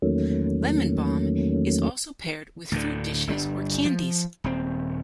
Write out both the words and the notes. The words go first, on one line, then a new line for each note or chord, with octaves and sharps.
Lemon balm is also paired with fruit dishes or candies.
E2 D#3 F#3 A3 A#3 C#4
D2 A2 D3
G1 G3 C4 D4
F3
D#1 C4